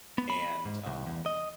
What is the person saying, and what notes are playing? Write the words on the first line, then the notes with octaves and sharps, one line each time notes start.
and, um
B3
B5
G#2
C2
E2
D#5